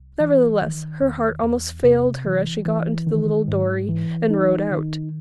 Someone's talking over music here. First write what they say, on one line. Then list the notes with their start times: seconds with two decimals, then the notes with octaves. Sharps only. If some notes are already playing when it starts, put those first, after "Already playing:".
Nevertheless, her heart almost failed her as she got into the little dory and rowed out.
Already playing: C2
0.20 E3
0.61 D#3
1.02 E2
1.43 E2
1.84 C3
2.25 E3
2.65 E3
3.07 D#3
3.48 G#2
3.89 E3
4.30 D#4
4.71 D#3